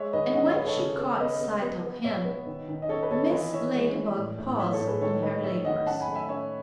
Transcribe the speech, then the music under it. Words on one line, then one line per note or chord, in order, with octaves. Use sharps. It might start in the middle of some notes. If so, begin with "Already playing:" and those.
And when she caught sight of him Mrs. Ladybug paused in her labors.
Already playing: G#3 C#5 E5
D#3 B4 D#5
D#3 D#5 F#5
C#5 E5
D#3 B4 D#5
A4 C#5
C#3
B3
B3 B4 D#5
B3
B3
B3
B2 C#5 E5
B3
D#3
D#3
D#5
C#4 A4 C#5
B4
D#3 A4 C#5
E3 B4 D#5
E3 C#5 E5
G#3
E3
A2
A2
F#3 C#5 E5
A4 C#5
A2
G#4 B4
D#3 A4 C#5
D#3 B4 D#5
D#3 C#5 E5
D#3 D#5 F#5
C#4 F#5 A5
G#5 B5
A3
E5 G#5
C#4 C#5 E5